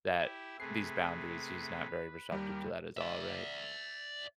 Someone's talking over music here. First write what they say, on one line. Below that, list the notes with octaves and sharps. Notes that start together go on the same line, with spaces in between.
that these boundaries, he's not very receptive to that is all. Right?
E4 G4 E5
C3 A3 G#4 B4 C7
D#2 G3 G4 A#4
D5 E5